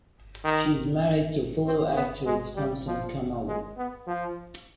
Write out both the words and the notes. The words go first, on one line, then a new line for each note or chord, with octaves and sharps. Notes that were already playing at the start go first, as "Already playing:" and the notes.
She is married to fellow actor Samson Khumalo.
D#3
C4
B3
G#3
G3
F3
G#3
B3
F3